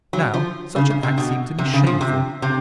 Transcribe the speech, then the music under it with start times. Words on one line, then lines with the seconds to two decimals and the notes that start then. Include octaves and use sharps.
Now, such an act seemed to me shameful.
0.13 F#3
0.34 F3
0.76 C#3
0.90 C#3
1.03 C3
1.18 B2
1.58 C3
1.74 C#3
1.87 F3
2.01 C3
2.42 C3